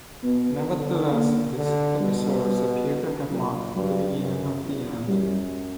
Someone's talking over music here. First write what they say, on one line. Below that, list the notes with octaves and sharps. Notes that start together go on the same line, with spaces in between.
Nevertheless, these episodes appear to have marked the beginning of the end.
B2 B3
D3
A#3
D3
B2 G3
A#2 F#3
G2 F#3
F#2
E2
F#2 G3